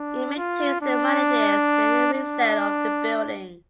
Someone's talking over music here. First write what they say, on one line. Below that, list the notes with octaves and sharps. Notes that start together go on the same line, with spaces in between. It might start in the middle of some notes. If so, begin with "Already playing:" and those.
It maintains and manages the resale of the building.
Already playing: D4
F4
D4
D4